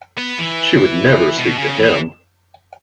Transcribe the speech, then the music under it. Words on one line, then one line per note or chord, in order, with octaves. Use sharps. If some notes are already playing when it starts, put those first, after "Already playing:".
She would never speak to him!!
B3
E3
B2
C#3
E3